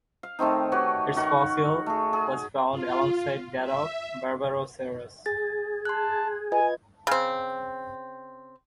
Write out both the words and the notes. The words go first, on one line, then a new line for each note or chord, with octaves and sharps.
Its fossil was found alongside that of "Berberosaurus".
F5
D#3 A3 C4 D#4
F#4 G4 B4 C#5
D#3 F#4 A#4 C#6
A3 G#4
G#4
F4
E5
G#4 A6
A5 C6 F#6
F4 B4 D#5 G#5 G#6
C#3 C4